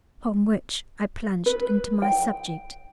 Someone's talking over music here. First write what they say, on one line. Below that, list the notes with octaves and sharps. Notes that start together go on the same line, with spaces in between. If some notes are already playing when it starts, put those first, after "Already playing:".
Upon which I plunged into my subject.
B4
G5